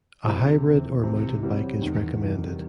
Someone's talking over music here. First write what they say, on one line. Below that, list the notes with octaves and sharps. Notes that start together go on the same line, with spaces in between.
A hybrid or mountain bike is recommended.
E1 C3 E3
D#2 D#3
C2 C3 E3
C3 E3 F#3 G3 C4
E2 D#3
C3 E3 G3 D#4